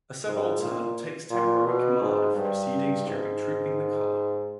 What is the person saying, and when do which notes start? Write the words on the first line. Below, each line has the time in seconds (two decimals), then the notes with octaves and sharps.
A subaltern takes temporary command of proceedings during Trooping the Colour.
0.26 G#2
0.60 A#2
1.30 A#2
1.65 B2
2.01 G#2
2.35 G2
3.06 G#2